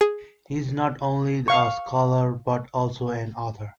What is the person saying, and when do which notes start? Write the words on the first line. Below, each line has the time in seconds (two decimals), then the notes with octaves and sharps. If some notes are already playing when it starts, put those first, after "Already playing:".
He is not only a scholar, but also an author.
0.01 G#4
1.48 F5 C#6